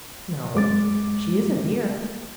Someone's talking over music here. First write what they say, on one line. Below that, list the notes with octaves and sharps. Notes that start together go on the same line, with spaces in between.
"No; she isn't here."
F#2 G#3 D6 A6